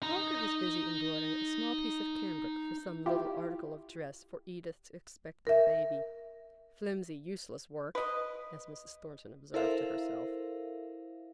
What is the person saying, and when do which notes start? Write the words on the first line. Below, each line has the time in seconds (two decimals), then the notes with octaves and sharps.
Margaret was busy embroidering a small piece of cambric for some little article of dress for Edith's expected baby--'Flimsy, useless work,' as Mrs. Thornton observed to herself.
0.02 D#4 A#5
3.06 E4 F4 G4
5.47 A#4 E5
7.95 B4 D#5
9.54 E4 A4 A#4 C5 E5 F5